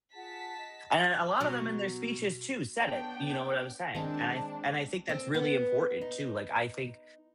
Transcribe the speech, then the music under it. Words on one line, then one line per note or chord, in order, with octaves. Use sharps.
And a lot of them in their speeches too said it, you know what I was saying, and I and I think that's really important too, like I think
F4 G#4 F#5 A5 B6
D#5
B2 F#3
B3 D4 C#5 G5 A5
D#3 G#3 C4 D4 A5
C4
B3
D#4